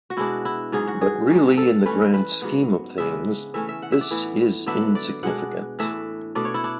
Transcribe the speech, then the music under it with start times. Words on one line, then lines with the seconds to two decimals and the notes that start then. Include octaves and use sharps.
But really in the grand scheme of things this is insignficant.
0.10 F#4
0.17 B2 G#3 D4 E4
0.45 E4
0.72 G#2 F#3 C#4 G#4
0.87 F#4
1.01 G#4
1.29 G#2 F#3 C#4
1.58 A4
1.86 E3 A3 C#4 B4
2.14 B4
2.42 G#2 F#3 B3
2.98 C#3 G#3 B3 D4 E5
3.54 E3 A3 C#4 E5
3.69 E5
3.82 F#5
3.92 E5
4.01 D5
4.11 A2 E3 B3
4.66 D3 F#3 B3 D4 E5
4.95 D5
5.23 B2 G#3 D4 F#5
5.79 A2 E3 A3 D4 E5
6.35 B2 A3 D4 D5
6.45 C#5
6.54 E4
6.64 D4